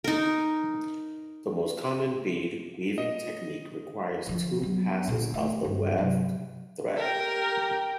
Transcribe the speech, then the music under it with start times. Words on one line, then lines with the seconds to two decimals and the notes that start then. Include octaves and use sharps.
The most common bead weaving technique requires two passes of the weft thread.
0.04 D#4 A#4
2.98 D#5
4.27 D3 F3
4.62 F#3 B3
5.07 A#2 D3
5.34 A3
5.64 G2
5.98 C3 F#3
6.97 G4 A#4 G5